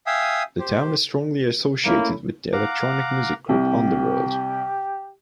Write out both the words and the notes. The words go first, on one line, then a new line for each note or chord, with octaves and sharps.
The town is strongly associated with the electronic music group Underworld.
E5 F5 G5 G#5 D#6 E6
G4 C5
A3 A#3 C#4 E4
F5 F#5 A#5 D6
C2 G4